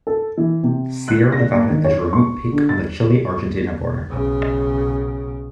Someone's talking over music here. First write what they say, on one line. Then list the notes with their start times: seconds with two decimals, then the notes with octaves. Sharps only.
Sierra Nevada is a remote peak on the Chile-Argentina border.
0.07 A4
0.37 E3
0.63 C3
1.08 F#6
1.32 A#6
1.53 A#3
1.70 D#3
1.84 C#5
2.13 C#6
2.52 D3
2.69 A6
4.09 B1 C#3